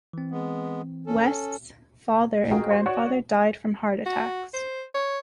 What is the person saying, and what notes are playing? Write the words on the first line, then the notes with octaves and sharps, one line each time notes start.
West's father and grandfather died from heart attacks.
E3 C4
G#3 B3
C#4 A4
F4 F#4 G#4 A#4 D#5 G5
F#4 C5
F#4 C#5 D5 F#5
F#4
C5
C#5